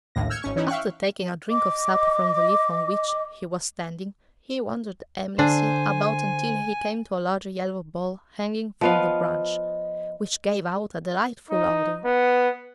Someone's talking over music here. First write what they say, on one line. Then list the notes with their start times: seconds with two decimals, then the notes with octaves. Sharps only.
After taking a drink of sap from the leaf on which he was standing, he wandered aimlessly about until he came to a large yellow ball hanging from the branch, which gave out a delightful odor.
0.15 A#1 D#2 A2 A#6
0.30 E6 F6 G6 G#6 C#7
0.42 G#1 C#4 C#6
0.56 E3 C#4 D#4 E4
0.68 E5 F5 G5 C#6 F#6
1.50 D#5 D6
5.39 D3 D4 C5 G#5
8.81 F3 B3 D#5 F5
11.51 D#4
12.05 B3